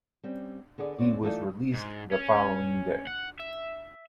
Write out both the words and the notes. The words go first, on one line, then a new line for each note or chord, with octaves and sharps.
He was released the following day.
G3 C4 C#4
D3 B3 G#4 D5
B3 C4 C#5 D5
E3 A3 D#4 F4 A4 D5
G#2
C#4
F#5
E5